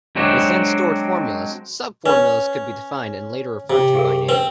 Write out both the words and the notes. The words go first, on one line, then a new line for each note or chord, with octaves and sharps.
Within stored formulas, sub-formulas could be defined and later referred to by name.
F#3 G#3 C4 D4 F#4
C#4 B4
C3
G4 G#4 A#4
C4 B4